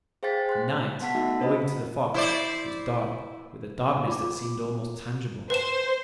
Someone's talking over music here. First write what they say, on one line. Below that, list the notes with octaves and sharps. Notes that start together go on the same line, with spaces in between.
The night, owing to the fog, was dark with a darkness that seemed almost tangible.
G#4 C5 F5 G5 A6 B6
C6 F#6
B3 F#5 A5 B6
A3 D#4 F#4 E5
D4 C5 D#5 B5
E4 C5 D5
F4 D6
B4 C5 E7